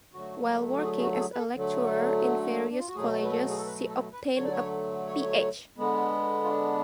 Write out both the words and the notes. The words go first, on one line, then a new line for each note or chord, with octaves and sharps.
While working as a lecturer in various colleges, she obtained a Ph.
D3 F#3 A3 F#4
F#4
G#4
G#4
F#4
A4
G#4
B4
A4
D3 F#3 A3
D4
F4
F#4
B2 F#3 A3 G#4
B4
A4
G#4
A4
B4
A4
B4
D3 F#3 A3 C#5
D5
C#5
C#5
D3 G#3 B3
F4
D4